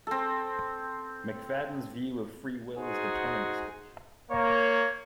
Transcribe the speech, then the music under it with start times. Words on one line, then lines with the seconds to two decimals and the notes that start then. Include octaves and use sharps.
McFadden's view of free will is deterministic.
0.07 C4 A4
2.75 D#4 F#4 G#4 C5
4.31 A#3 C#5